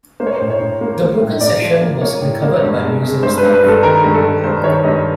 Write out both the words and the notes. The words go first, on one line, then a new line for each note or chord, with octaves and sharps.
The broken section was recovered by museum staff.
A#3 C5
C#5
C5
A2
C#5
A2
A#3
A#3
A2
A2 D5
F3
A#3
A#3 C#5
A2
A#3
G2
G#3
G#3
G2 C5
B4
G2
B4
G2 A4
D#3 A#4
G2
A4
D#3
G2 C5
D#3 C#5
G2 D#5